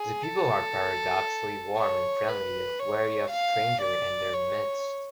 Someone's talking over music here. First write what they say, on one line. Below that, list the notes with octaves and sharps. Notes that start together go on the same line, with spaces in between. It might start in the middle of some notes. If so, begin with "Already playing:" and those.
The people are paradoxically warm and friendly yet wary of strangers in their midst.
Already playing: G#4
A4
C#5
B4
C#5
F5
D5
C#5